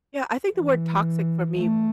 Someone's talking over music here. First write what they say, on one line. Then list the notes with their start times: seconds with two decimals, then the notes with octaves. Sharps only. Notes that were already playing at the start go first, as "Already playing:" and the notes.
Yeah, I think the word toxic for me
0.56 E3
1.57 A3